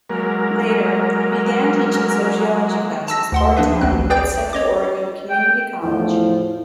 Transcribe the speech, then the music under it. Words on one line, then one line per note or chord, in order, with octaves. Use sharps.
Later, he began teaching Sociology classes part-time at Central Oregon Community College.
F#3 G#3 A#3 A#4
A5 E6 A#6
D2 F#5 C6
F3 A#3 D4 G#4 B4 E5
A1 D2 C4 F#6
G#4 B4 D5 G5 D6 G6
C#5 D#5 D6
G5
E2 A2 F3 E4